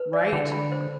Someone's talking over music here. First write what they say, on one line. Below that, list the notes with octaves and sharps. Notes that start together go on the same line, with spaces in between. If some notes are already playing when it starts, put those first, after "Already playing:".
Right. R
Already playing: B4
D5
D3 G5
B5
C5